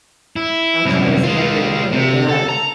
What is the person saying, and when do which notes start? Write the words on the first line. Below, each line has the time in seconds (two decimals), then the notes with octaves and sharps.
Toxic is a good way to put it, yeah.
0.36 E4
0.85 C2 F#2
1.23 G#3 F4
1.92 C3
2.29 A4
2.49 A#5